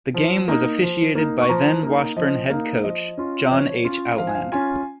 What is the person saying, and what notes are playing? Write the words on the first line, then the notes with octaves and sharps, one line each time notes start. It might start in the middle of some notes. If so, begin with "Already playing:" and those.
The game was officiated by then Washburn head coach John H. Outland.
F3
A#3 D#4
F3
A#3 D#4
C#6
F3 A#5
A#3 D#4
F3 D#5
A#3 D#4 F5
F3 D#5
C#4 F4
D#5
F3 C#5
C#4 F4
F3 F5
G#5
F5
C#4 F4 G#5